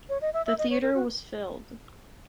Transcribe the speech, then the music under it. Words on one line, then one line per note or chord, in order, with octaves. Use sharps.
The theater was filled.
C#5
D#5
E5
E5
D#5
C#5
A#4
F#4